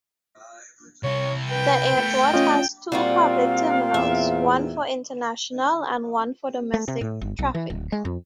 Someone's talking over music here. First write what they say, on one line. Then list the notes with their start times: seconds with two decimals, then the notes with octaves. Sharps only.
The airport has two public terminals-one for international and one for domestic traffic.
1.04 C2 E4 C#5
1.50 B4 G5
1.97 A3 B3
2.34 C#4 F4 D#5
2.92 A#2 G3 C4 F4 F#4 F5
3.94 E2 E5
6.74 A3
6.88 C3
7.01 A2
7.21 G1
7.39 B1
7.55 E3
7.70 D1
7.92 G#3
8.05 F2